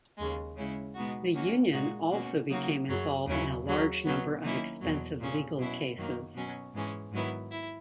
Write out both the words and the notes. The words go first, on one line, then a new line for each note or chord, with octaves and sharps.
The union also became involved in a large number of expensive legal cases.
D#2 C#3 G#3
C#3 G#3 C#4 E4
B2 G#3 B3 D#4 F#4
D#3 A#3 C#4 F#4
A#2 G#3 D#4 F#4
B2 A#3 C#4 F#4
C#3 F#3 A#3 D#4 F#4
F#2 C#3 F#3
D#2 C#3 F#3 C#4 E4
D#2 C#3 F#3
B2 F#3 B3
D#3 F#3 A#3 C#4 E4
E2 B2 F#3
A#2 G#3 C#4
B2 F#3 C#4 E4
F#2 D#3 F#3 A#3
B2 F#3 C#4
G#2 E3 G#3 C#4
G#2 D#3 F#3 B3 E4
E4